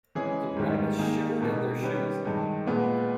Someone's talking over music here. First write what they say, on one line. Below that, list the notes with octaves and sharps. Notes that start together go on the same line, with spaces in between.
The rabbits shivered in their shoes.
E3 G#3 C#4 G#4
G#2 D#3 G3
D#3 A#3 D#4 G#4
B2 G#3 D#4 G4 A#4
D#3 G3 C#4 G4 B4
G2 D#3 G#3
A#2 G#3 B3